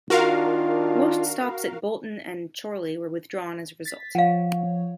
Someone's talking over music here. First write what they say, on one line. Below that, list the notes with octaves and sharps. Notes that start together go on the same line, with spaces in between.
Most stops at Bolton and Chorley were withdrawn as a result.
D#3 D4 F4 F#4 A#4 F5
A6 B6
F3 C#5 F5 F#5